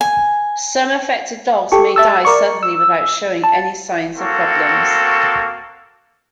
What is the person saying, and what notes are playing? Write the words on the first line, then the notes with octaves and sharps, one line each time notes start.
Some affected dogs may die suddenly without showing any signs of problems.
G#5
G4 A4 C#6
E5 A5 E6
A#4 D5 C#6
E6
A5
A#3 C4 F#4 A4 C#6